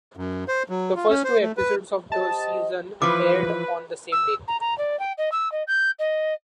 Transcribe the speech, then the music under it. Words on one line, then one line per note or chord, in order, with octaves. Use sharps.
The first two episodes of the season aired on the same day.
F#2
C5
F#3
F4
C#4
C5
A3
B4
G4 C5 D#5 A5
E3 F3 B4 D6
E6
A#5
A#5
D5
G5
D#5
E6
D#5
G6
D#5